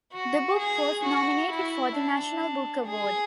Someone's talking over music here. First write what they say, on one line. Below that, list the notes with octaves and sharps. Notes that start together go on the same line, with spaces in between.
The book was nominated for the National Book Award.
F#4
G#4
F#4
E4
D4
G#4